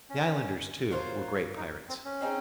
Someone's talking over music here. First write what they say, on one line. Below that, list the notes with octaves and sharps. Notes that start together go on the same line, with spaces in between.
The islanders, too, were great pirates.
C#4
F#3 A#3 F4 C5
D#4
C4
C#4
C4 D#4 G#4